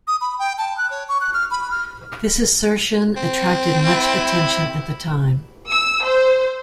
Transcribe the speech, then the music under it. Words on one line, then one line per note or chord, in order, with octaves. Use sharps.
This assertion attracted much attention at the time.
D#6
B5
G5
A5
F#6
C#5
C#6
F#6
F6
B5
F6
C4
E4
E6
C5